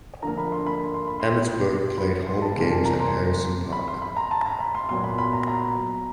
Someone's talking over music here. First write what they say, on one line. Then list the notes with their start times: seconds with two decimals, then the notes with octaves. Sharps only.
Emmetsburg played home games at Harrison Park.
0.22 D3 F3 A#3 A#5
0.37 B5
0.52 C6
0.67 B5
0.94 C6
1.07 B5
1.20 C6
1.98 B5
2.27 C6
2.42 A5
2.56 C3 E3 G3 A#3 A5
2.71 A5
2.85 A#5
3.00 C6
3.72 B5
3.88 C6
4.02 B5
4.16 A#5
4.31 A5
4.46 A#5
4.60 B5
4.75 C6
4.89 A#2 F#3 B3 C6
5.04 B5
5.18 B5
5.33 A#5
5.48 A#5